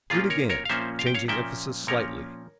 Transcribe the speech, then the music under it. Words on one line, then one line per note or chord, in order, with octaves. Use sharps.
Read again, changing emphasis slightly.
A#2 F3 A#3 C#4 F4 G#4
A#4 C#5
A#4 C#5
F5
A#2 F3 A#3 C#4 C5 E5
F5
G5
C#5 F5
A#2 F3 A#3 C#4 E5 G5
A#2 F3 A#3 C#4 A#4 C#5